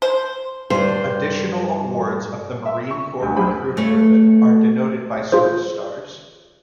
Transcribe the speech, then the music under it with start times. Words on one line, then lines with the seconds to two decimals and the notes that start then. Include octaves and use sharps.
Additional awards of the Marine Corps Recruiting Ribbon are denoted by service stars.
0.02 C5
0.70 G2 G3 C5
2.66 E5
2.91 C#6
3.21 D2 G3
3.37 F#2 G4 G#4 C5 B5
3.77 A3 C#5
5.32 F4 G#4 C5